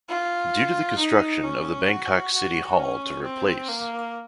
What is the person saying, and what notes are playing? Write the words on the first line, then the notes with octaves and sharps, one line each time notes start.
Due to the construction of the Bangkok City Hall to replace.
F4
D#4
C#4
F#4
F#4
C#4
C4
A#3